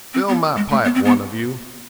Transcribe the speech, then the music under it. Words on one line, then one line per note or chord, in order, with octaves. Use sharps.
'Fill my pipe, one of you.
C4
B3
G#3
A3
B3
C4
B3